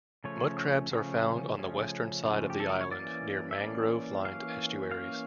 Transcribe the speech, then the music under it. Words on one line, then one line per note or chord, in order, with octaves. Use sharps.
Mud crabs are found on the western side of the island near mangrove-lined estuaries.
C#3 F3 A3 C#4 C#5
C#3 F3 A3 C#4
C#3 F3 A3 C#4
C#3 F3 A3 C#4
G4
A4
A#4
C#5
E3 A#3 C#4 D5
E5
E3 A#3 C#4 D5
E3 A#3 C#4 F5
E3 A#3 C#4 F5